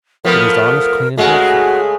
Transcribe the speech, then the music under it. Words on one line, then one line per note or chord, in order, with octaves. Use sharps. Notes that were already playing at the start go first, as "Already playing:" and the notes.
It is honest, clean, and wholesome.
F3 A3 B3 A#4
C#3 G#3 A3 F#4